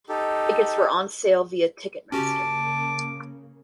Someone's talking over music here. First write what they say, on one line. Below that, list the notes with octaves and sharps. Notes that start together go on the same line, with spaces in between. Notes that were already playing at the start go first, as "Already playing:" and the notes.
Tickets were on sale via Ticketmaster.
D#4 G4 A4
C#3 A#3 C#4 F#4 G4 A5 D6